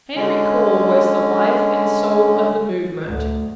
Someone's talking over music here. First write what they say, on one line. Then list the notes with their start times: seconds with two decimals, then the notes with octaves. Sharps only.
Henry Cole was the life and soul of the movement.
0.16 D3 G#3 C#4
3.05 D2